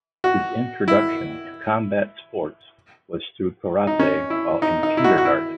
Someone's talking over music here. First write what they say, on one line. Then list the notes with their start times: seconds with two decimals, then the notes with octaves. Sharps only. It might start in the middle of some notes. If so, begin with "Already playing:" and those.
His introduction to combat sports was through karate while in kindergarten.
0.24 F#4
0.88 E4
3.87 D#4
3.99 C#4
4.30 E4
4.62 D#4
4.83 D#4
4.97 E4
5.04 F#4
5.18 F#4
5.25 E4